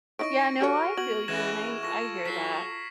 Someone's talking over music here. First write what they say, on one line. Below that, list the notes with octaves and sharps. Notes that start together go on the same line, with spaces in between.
Yeah, no I feel you, and I I hear that.
D#4 E4 C#5 C#6 A#6 D7
F#4 G4 A4 C#5 F6
B3 F#4 G#6 F#7
E3 G#3 B3 C#4 G#6 A#6 E7
F4 A4 C#6 A#6
F#3 B6 C7